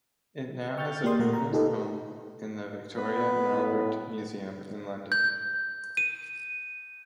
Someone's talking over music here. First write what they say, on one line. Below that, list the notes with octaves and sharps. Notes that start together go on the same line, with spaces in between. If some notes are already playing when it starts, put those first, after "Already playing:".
It now has a permanent home in the Victoria and Albert Museum in London.
G5 C#6 F6 G6 A6
A#3 G4 G#4 D5 C6 D#6
A#2 A3 A#4 F#5
A#5
D#4 F4 G4 A4 B4 D#5
B3 B4
A2
G6
D#7